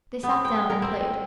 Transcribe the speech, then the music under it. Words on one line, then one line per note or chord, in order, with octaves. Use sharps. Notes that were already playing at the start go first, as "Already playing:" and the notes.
They sat down and played.
B3
G5
A#4
C4